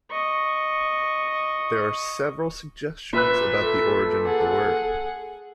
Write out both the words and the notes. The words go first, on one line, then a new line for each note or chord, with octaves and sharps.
There are several suggestions about the origin of the word.
D#5 C#6
A#2 B4 E5 F#6
A4
G#4 F#5